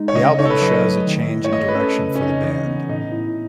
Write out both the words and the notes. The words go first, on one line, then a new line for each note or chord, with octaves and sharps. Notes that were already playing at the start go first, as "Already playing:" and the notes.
The album shows a change in direction for the band.
Already playing: G#3 D#4
C#5
C#3 D#5
D#5
D#4 C#5
A4
B4
F#3 D#5
A3
D#3
E4
C#5
A3 D#5
B4
C#4 A4
C#3
C#4
C#3 D#4
E3 D#4
B3
A2 D#4
E4